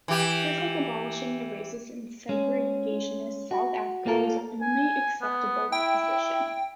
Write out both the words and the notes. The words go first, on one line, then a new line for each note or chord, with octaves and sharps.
Just like abolishing the racist and segregationist South Africa was the only acceptable position.
E3 G4
G#3 C#4
F#4
A#3 F4 A4 A#4
G#5
B3
E4 G5